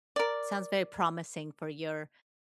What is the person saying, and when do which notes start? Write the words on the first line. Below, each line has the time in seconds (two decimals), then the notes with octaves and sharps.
sounds very promising for your
0.16 A#4 D5